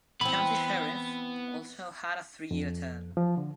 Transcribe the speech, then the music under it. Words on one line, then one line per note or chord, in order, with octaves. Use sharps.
The county sheriff also had a three-year term.
E3 B3 C4 B5
F2
F3
D3